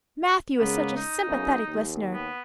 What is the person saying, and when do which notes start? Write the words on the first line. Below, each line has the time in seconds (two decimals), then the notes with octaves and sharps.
Matthew is such a sympathetic listener.
0.59 C#3 G#3 A#3 B3
0.96 D#4
1.27 B1 F#2 C#3
1.67 D#2
2.13 B3